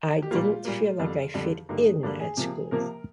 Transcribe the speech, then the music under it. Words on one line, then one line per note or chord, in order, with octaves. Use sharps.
I didn't feel like I fit in at school.
G4
A#2 G3 A#3 F4
A#2 G3 A#3
F2 D3 G3
F2 D3 G3
G2 D3 G3 A#3 D#4
G2 D3 G3 A#3 D4
G#4
C3 F3 A#3
C3 F3 A#3 A#4